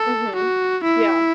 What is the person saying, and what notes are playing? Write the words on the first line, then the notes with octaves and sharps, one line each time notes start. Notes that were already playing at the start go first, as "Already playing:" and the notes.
Mhm, yeah.
Already playing: A4
F#4
E4